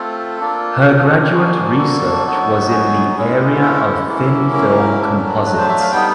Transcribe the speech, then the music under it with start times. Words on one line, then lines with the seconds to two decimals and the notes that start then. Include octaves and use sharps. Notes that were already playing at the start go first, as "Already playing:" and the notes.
Her graduate research was in the area of thin film composites.
Already playing: A3 C4 F4 A4
0.40 A#3 D4 F4
1.32 G3 A#3 D4 F#4 G#4
1.78 A4
2.24 F#3 B3 D#4 F#4
2.70 G#4
3.16 G#3 C#4 E4
3.62 A4
3.85 A4
4.08 F#3 A#3 C#4 E4
4.54 A#4
5.00 F#3 A3 D4
5.46 B4
5.58 C5
5.69 E5
5.80 F5
5.92 G3 B3 D#4 G5